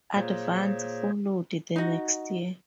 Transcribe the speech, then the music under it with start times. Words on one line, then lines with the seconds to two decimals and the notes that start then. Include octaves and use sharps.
"Advance" followed the next day.
0.16 A#2 G#4 C5 C#5
1.76 D#4 F#4